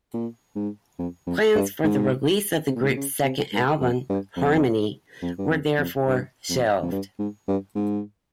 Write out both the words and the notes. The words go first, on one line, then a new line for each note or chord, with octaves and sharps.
Plans for the release of the group's second album "Harmony" were therefore shelved.
A#2
G#2
F2
F2
G2
G#2
C3
A#2
G#2
A#2
C#3
C3
G#2
F2
G2
F2
F2
G2
F2
F2
G2
F2
F2
G2
G#2
G2
G#2